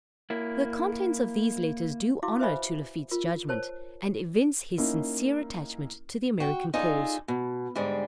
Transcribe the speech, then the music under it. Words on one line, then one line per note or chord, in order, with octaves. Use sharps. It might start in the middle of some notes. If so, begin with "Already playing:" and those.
The contents of these letters do honor to Lafitte's judgment, and evince his sincere attachment to the American cause.
A#3 E4
E4 F#4 F5 D6
B4 C5 E5 F5 G#5 B5
F4 A#4
A#4 C5 C#5 A5
A#3 C#4 D#4 E4 A#4
F#4 G5
D#4 F4 G#4 A4 D5
B2
G#2 D3 G3 G#3